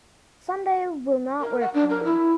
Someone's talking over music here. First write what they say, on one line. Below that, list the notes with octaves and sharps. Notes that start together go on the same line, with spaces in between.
Sunday will not work for me.
A#4
F#5
D4
A#4
E4